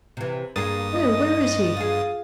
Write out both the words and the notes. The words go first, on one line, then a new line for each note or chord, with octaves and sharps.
"No, where is he?"
C3 E3
G2 A#3 G#4 D#6 A6
D#5
F4 G#4